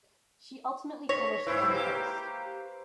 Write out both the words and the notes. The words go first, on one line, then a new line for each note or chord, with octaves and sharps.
She ultimately finished Unplaced.
C#5 C#6 A#6 B6
G#2 E4 B4 C5
A#3 G4